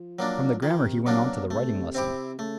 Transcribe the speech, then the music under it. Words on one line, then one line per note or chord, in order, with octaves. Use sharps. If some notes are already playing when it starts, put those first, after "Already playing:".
From the grammar he went on to the writing lesson.
Already playing: F3
F#3 A#3 D4
D#3 F3
C3
C3 F#3 A#3 D4
B2
C3 A3
C4 E4 G4
C#3 A3